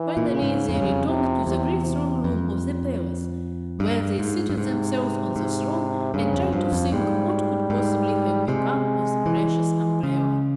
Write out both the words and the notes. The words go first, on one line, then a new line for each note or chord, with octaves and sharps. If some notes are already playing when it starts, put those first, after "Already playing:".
Finally they returned to the great throne room of the palace, where they seated themselves on the throne and tried to think what could possibly have become of the precious umbrella.
Already playing: E3
A#2
C#3
G#2
F2 C#3
G2
F2
C3
E2 C3
C3
F2
G2
G#2
G2
G#2 C3
G#2
G2 C#3
F2
G2 F3
F2
G#2 G3
G#2
C3 G#3
E3
C#3 G#3